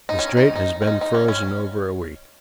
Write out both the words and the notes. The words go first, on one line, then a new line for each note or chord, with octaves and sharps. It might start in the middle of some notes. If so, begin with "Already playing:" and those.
The Strait has been frozen over a week.
D#4
C#4
D#4
D#4
C#4
D#4
D#4
C#4
C#4